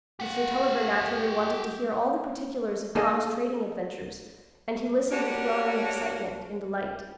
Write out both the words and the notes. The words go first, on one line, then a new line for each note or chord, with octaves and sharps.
Mr. Tulliver naturally wanted to hear all the particulars of Tom's trading adventures, and he listened with growing excitement and delight.
G4 F#5
A#3 G#4 A4 D#5
D4 F#4 G4 A#4 B4 C#5